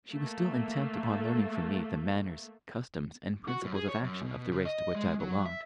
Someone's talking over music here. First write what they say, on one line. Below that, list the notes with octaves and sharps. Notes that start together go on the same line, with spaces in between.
She was still intent upon learning from me the manners, customs, and principles of action of the race to which I belonged.
A3 A#3
F#4
F#2
G#4
C#5
F#2
B2
C#3
D#5
G#3
F#3
E5